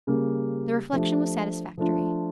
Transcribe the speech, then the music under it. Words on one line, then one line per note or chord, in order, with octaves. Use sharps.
The reflection was satisfactory.
C#3 G3 A#3
F3 A3 D4 G4
F3 A3 D4 F4